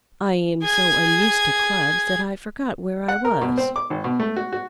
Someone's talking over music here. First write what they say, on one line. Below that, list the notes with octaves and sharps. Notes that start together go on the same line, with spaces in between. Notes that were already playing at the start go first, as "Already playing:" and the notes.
"I am so unused to clubs, that I forgot where I was."
G#4 G#6
F#5
A#4
B2
C4
D6
G#1
B2
A3
F#4
F#4